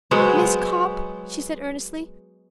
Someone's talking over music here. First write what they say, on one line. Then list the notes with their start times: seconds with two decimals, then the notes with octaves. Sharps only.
"Miss Copp," she said earnestly.
0.11 F#3 G#3 B3 C5